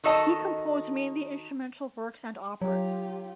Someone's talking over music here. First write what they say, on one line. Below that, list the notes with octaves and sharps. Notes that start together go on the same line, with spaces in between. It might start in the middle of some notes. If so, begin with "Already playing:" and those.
He composed mainly instrumental works and operas.
D#3 F#4 A4 D#5 A5
F#3 F4 G4